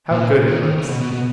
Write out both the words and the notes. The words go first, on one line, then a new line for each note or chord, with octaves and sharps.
How good it looks!
A#2
D#3
D#3
C#3
B2
B2
B2